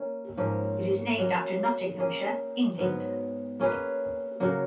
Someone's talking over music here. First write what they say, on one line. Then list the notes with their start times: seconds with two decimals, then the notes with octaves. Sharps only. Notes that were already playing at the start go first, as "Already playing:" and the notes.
It is named after Nottinghamshire, England.
Already playing: A#3 C#4
0.37 G#2 F3 A#3 C#4
1.18 F#3 A#3 C#4
1.98 A#3 C#4 G#4
2.79 G#2 F#3 B3
3.60 A#3 C#4 G#4 B4
4.40 C#3 F#3 A#3